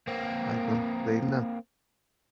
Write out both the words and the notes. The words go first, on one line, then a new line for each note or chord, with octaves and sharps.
I don't blame them.
A#3 C4